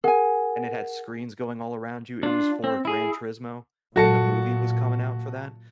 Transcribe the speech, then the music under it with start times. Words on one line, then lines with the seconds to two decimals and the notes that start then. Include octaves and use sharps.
and it had screens going all around you; it was for Gran Turismo when the movie was coming out for that,
0.04 G#4 A#4 F#5 G#5
2.23 D4 F4
2.64 C4
2.85 E4 G#4
3.96 A#2 F#3 F#4 A4 A5 A#6 C#7